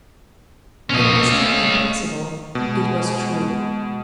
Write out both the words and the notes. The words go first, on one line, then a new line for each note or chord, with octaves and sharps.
It was not impossible--it was true.
A#1 B2 F3 C#4 D#5
A3 F5
B2 G#3